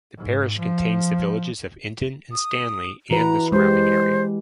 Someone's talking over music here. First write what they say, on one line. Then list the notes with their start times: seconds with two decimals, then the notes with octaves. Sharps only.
The parish contains the villages of Endon and Stanley and the surrounding area.
0.17 G#2
0.58 F3
2.32 D#6
3.11 E3 F#4 B4 A#5
3.52 G#3 G4 C5